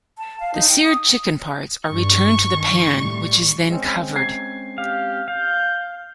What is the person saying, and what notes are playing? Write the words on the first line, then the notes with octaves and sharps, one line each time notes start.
The seared chicken parts are returned to the pan which is then covered.
A5
F5
D#4
G5
D#6
G2 C#6
D#3
A2 G3
G#3 C4 C#4
G#6 C7
G4 F5
F5 G6